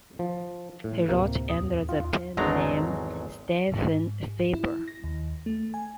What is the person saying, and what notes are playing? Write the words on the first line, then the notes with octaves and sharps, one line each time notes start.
He wrote under the pen name Stefan Faber.
F3
A2
D2 A2 C3 A#3 C5
E2 D#6
D#2 F4
G#1 E2 F#3 G#3 A3 A#5
G#2
E4
A#6
D#2
A3
G#5